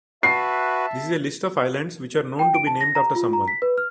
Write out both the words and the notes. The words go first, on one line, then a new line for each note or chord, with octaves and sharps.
This is a list of islands, which are known to be named after someone.
F#4 B4 E5 A5 C7
G5
D7
A5
A#6
A#5
F4
A#5
B6
B4
F6